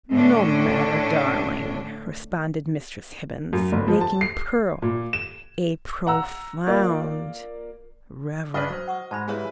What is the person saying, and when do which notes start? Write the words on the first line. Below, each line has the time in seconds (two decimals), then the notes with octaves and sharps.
"No matter, darling!" responded Mistress Hibbins, making Pearl a profound reverence.
0.12 A2 D3 C#4 D4
3.53 F#2
3.72 G1
3.88 F3
4.01 A5
4.21 C7
4.82 A#2
5.13 E7
6.07 F#5 A#5 E6
6.67 A#3 F4 D5
8.54 G2 D4 B4 D#5 F6
8.70 F#3 F#4 C5
8.87 F#5 C#6 D#6
9.11 G#2 G#3 F#4 A5 B5
9.28 G3 E4 G#4 B4 C#5 F5